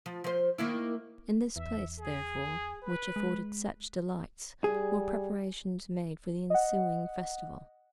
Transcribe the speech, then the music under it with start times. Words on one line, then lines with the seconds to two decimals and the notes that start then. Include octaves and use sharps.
In this place, therefore, which afforded such delights, were preparations made for the ensuing festival.
0.06 F3
0.24 F3 C5
0.58 D#3 A#3 E4
1.56 E2 E5
1.99 G#4
2.82 B4
3.16 G#3
4.64 G3 G#4
6.50 D#5 F#5